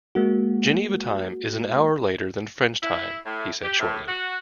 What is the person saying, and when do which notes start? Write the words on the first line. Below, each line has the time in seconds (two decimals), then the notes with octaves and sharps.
"Geneva time is an hour later than French time," he said shortly.
0.15 G#3 A#3 F#4
2.81 E4
3.24 A2
3.62 G4
3.80 A2
4.07 F#4